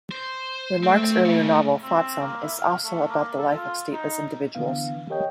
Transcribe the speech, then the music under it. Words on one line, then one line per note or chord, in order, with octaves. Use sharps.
Remarque's earlier novel "Flotsam" is also about the life of stateless individuals.
C5
A3 C4
A#2 C#3
C4
A#3
E4
F5
A3
A#3
A4
F4
D#4
D3 E3 B3 F5
G4 A#4 C#5 D#5 G5